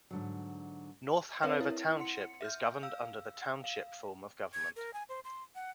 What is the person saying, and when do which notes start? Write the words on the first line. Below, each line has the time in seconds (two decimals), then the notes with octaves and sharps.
North Hanover Township is governed under the Township form of government.
0.11 G#2 D3 F#3
1.42 C4 A#4 B4 C#5 E5 F5
1.61 E4
1.99 F#5 C6 C#7
2.41 E5 F6 G6
2.83 F5 E6
3.64 F5
4.54 G#6
4.76 A#4
4.93 G#5
5.09 C5
5.24 C6
5.55 F#5